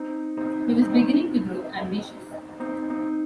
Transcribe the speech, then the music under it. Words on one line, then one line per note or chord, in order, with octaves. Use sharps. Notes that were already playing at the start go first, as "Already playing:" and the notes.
He was beginning to grow ambitious.
Already playing: C4 D#4
C4 D#4
C4 D#4
C4 D#4
C4 D#4